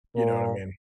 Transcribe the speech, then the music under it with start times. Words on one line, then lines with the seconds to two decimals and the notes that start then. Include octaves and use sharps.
You know what I mean?
0.15 A#2 A#3